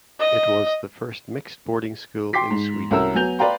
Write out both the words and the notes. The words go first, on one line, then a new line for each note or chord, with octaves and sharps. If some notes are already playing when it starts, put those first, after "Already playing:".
It was the first mixed boarding school in Sweden.
D#5
G5 C6 D6 B6 C7
G#2
C2 C#4 F#4 A#4 E6
F#3 B3 G#5 G6 F7
B4 D5 F5 G5 A#5 C6